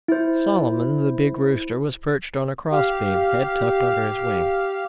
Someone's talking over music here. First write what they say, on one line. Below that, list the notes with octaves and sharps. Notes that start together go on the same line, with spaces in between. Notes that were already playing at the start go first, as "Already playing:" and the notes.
Solomon, the big rooster, was perched on a crossbeam, head tucked under his wing.
E4 C5
G4 F5